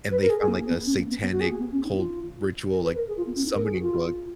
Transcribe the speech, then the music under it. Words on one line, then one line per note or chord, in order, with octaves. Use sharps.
and they found, like, a satanic cold ritual, like, summoning book.
B4
A#4
G#4
G#4
A#3
B3
C#4
A#3
B3
B3
F#4
G#4
A#3
B3
C#4
D#4
F4
A#4
B4
A#4
G#4
F4
B3
C#4
D#4
A#4
G#4
F#4
F4